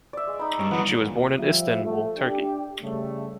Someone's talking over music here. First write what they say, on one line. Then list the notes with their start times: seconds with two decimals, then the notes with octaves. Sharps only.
She was born in Istanbul, Turkey.
0.13 D5 E5
0.27 G#3
0.40 D#4 B5
0.59 G2 C#4
0.71 E3 F#3 B3
1.00 D#2 A#2
1.38 F3 G3 E5
1.84 A3
2.17 D4 G4
2.82 C#3 G3 A3